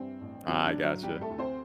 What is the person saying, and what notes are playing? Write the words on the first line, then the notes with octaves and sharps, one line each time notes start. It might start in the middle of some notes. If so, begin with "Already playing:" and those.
I gotcha.
Already playing: G2 E3 C4
A1
F#3 C4
D4
D3
F#3 F#4
C3 G3 G4
A3 A4
D2
C4 C5